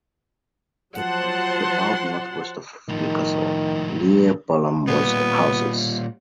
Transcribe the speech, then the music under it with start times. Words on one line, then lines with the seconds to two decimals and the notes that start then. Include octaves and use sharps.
The village is about north-west of Newcastle, near Bolam West Houses.
0.96 F3 F#3 C5 F#5 A5 C6
2.89 A2 D#3 F3
4.87 A#2 G3 B3